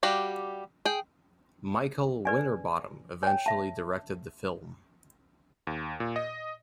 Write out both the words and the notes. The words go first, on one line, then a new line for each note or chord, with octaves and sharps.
Michael Winterbottom eventually directed the film.
G3 F#4 G4 F5
G#4 G5
B4 D5 G#5
C#5 G5 G#5
E5 A5
D#2
A#2
D#5